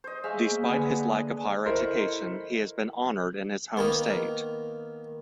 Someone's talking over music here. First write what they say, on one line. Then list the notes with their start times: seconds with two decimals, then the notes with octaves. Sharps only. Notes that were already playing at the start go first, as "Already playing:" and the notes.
Despite his lack of higher education, he has been honored in his home state.
0.04 C5 D#5
0.24 G#3 E5 F5 C#6
0.51 A#3
0.69 D3 B3 G#4 G#5
1.66 E4 A4 A#4 C5 D#5 E5 C#6
3.77 D#3 A#3 B3